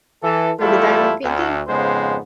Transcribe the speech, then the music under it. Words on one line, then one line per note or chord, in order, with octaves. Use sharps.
for the diamond painting?
E3 A4
E2 G3 A3 E4 F4 A4
D2
F2 G#2 C#3 G#3 B3 C5